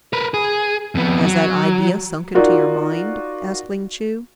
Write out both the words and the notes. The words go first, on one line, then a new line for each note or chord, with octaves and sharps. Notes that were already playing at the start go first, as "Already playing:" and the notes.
"Has that idea sunk into your mind?" asked Ling Chu.
A#4 B4
G#4
F2 B3
F#3
D#4 F4 F#4 A#4 D5